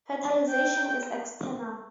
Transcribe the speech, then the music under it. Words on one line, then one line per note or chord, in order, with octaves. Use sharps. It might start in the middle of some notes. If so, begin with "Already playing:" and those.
Fertilization is external.
G5